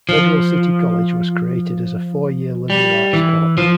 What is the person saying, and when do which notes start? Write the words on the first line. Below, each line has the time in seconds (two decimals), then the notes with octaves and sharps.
Federal City College was created as a four-year liberal arts college.
0.09 F3
2.70 G3
3.13 E3
3.58 F3